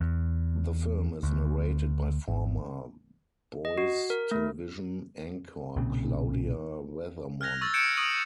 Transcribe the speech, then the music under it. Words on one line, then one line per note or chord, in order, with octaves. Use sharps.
The film is narrated by former Boise television anchor Claudia Weathermon.
E2
D2
G#1
D#5
F#4
A#4
A3
B1 A#2 C#3 C4
F6 F#6 G#6 A#6 F7
C#6 E6 A6
G6 G#6 C#7 D7 E7
C#6 D#6 D7 D#7 F#7